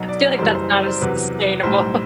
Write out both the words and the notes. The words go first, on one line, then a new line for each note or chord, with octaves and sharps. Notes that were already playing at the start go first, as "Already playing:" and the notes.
feel like that's not as sustainable,
Already playing: B1 B2 F#3
D5
F#1 F#2 E3 G3 C5
C5
D5
C5
E2 C3 F#3 B4
B1 A2 G3 C5